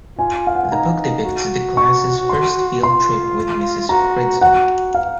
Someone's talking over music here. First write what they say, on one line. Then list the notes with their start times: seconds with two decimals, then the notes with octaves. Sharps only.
The book depicts the class's first field trip with Ms. Frizzle.
0.18 F4 G#5
0.47 F5
0.55 F#5
0.63 G#5
0.71 D#4 A#5
1.24 F#4
1.77 C#6
2.29 C6
2.82 F4 C6
3.89 F#4 A#5
4.41 F#4 F#5
4.94 F5